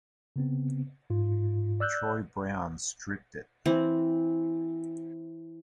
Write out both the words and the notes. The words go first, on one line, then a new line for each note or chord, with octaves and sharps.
Troy Brown stripped it.
C#3 B3 C4
G#2 F4
D5 E6 F#6 G6
E3 C4